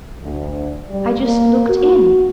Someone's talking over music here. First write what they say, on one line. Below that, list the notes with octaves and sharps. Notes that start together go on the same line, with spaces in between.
"I just looked in."
D2
G3
A#3
F#4